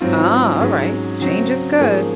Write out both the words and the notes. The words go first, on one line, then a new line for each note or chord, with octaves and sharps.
Oh, alright, change is good.
G#2 F#3 C4 F4
G#2 F#3 C#4 G#4
C#3 F#3 C4
G#2 F3 A#3 C#4 G#4